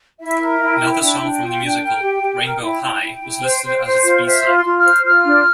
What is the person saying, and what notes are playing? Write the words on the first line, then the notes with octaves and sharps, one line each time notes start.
Another song from the musical, "Rainbow High", was listed as its B-side.
E4 E5
A#4
E4 G5
E4
D4 G5
D4
F4
D4
A#4
G4
G4
A#4
E4 G5
E4
E4
E4
C5
C5
C5
F4
C5 E5
F4
C6
F4
F6
C5
F4 F6
D4